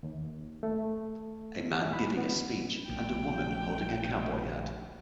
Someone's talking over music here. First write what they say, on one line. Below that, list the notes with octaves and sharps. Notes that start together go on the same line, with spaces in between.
A man giving a speech, and a woman holding a cowboy hat.
D#2
A3
B5
B3
A#1 F3 A3 G5